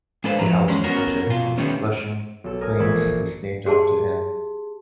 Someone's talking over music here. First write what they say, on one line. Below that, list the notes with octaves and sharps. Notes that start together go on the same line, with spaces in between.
A housing project in Flushing, Queens, is named after him.
G#3 D4 A4 B4 C5 F5
F3 F#3 A3 A#5
E2 G#3 C#4
B3 C#4 F#4 A#4
B2 F4
D3 D#3 G3 A3 B3 C#4
B1 A4
A#4 G#5 D#6
A#1 E3 D4 A4 B5 G#6
G4 G#4 A5 C6